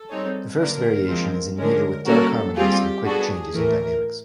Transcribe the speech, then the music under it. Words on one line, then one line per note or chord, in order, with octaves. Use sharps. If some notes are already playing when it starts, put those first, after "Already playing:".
The first variation is in meter with darker harmonies and quick changes in dynamics.
Already playing: A4
G3 C4 D#4 G#4 C#5
D3 F#3 A#3 D4 A#4
F3 G#3 C4 F4
D3 F3 G#3 C#4 A#4
G3 A#3 C#4 F#4 A4 A#4
G3 C4 F4 G4 G#4
B3 D4 F#4 G#4 A4
A2 E3 A3 A#4